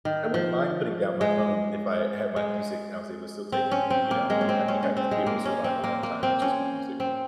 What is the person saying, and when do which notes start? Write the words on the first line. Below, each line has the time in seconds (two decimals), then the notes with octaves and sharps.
I wouldn't mind putting down my phone if I had my music and I was able to still take it with me, you know? I think I think I'd be able to survive a long time with just my music.
0.05 D#3
0.34 F3
1.21 G#3
2.36 G#3
3.52 C4
3.71 C#4
3.90 C4
4.11 A#3
4.30 G#3
4.41 C#4
4.49 C4
4.68 C#4
4.83 C#4
4.97 C4
5.11 G#3
5.27 A#3
5.45 C#4
5.64 C4
5.84 A#3
6.03 A#3
6.23 C4
6.42 C#4
7.00 C4